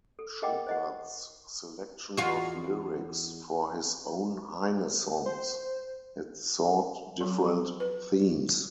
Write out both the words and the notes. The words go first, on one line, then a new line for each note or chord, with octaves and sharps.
Schubert's selection of lyrics for his own Heine songs had sought different themes.
A4
G#4 A#4 D#5 F#5 G5 D6
C5 D#5 F#5
E2 F4 F#4
C5
F#3
B4